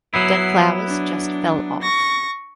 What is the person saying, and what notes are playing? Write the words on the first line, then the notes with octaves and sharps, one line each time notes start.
Dead flowers just fell off.
F#3 B3 E4 C7
D4
C#6 A#6